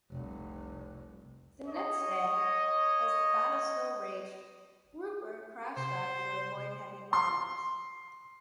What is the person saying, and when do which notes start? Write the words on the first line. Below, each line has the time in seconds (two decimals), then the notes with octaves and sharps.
The next day, as the battle still raged, "Grouper" crash-dived to avoid heavy bombers.
0.11 F1 C2
1.68 C#5 D#5
5.77 C3 C5
7.13 C6